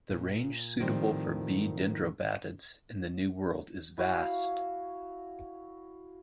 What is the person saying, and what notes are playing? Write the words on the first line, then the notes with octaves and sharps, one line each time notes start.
The range suitable for "B. dendrobatidis" in the New World is vast.
A#2
A2 D#3 F3 G3 C4
E4 F#4 C#5 F5